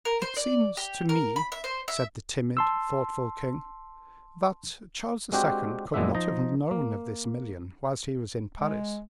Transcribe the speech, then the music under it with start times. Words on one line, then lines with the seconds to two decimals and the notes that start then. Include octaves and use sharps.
"It seems to me," said the timid, thoughtful king, "that Charles II. could not have known of this million whilst he was in Paris."
0.05 A#4
0.22 C5
0.37 D5
0.77 G4
1.09 A#4
1.36 B5
1.52 E5
1.64 C5
1.88 E5
2.57 A5 C6 E6
5.32 G#3 C4 D4 F#4 G4
5.94 F#2 A#2 G#3 B3 D4 E5
6.15 F3 D#4 A#5
6.71 A#3
8.59 G#3